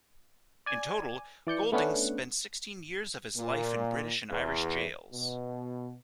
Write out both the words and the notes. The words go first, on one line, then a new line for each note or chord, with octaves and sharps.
In total, Goulding spent sixteen years of his life in British and Irish jails.
D5 G#5
E3 D5 G6 C#7
A3 B3 C#4 D4 F#5
A#2
E2
B2